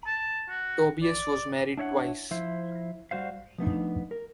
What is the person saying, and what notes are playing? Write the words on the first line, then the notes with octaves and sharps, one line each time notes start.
Tobias was married twice.
A5
F#4
D5
D4 E4 C#5 E5 F#5
F3 E4 C5
G3 F#4 C5 F5
F3 A3 B3 C4 D4 D#4
A#4